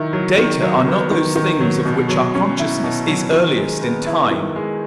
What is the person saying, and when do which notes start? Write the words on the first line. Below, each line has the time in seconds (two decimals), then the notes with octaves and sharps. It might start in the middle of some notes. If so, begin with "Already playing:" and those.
Data are not those things of which our consciousness is earliest in time.
Already playing: D#3 F#3 E4
0.13 F#3
0.38 D#3
0.62 F#3
0.87 B3
1.11 D#3
1.36 D#3
1.60 F#3
1.85 B2
2.09 F#3
2.35 C#4
2.59 E4
2.84 B2
3.07 F#3
3.32 D#3
3.58 G#3
3.82 B3
4.06 E4
4.31 D#3
4.56 G#3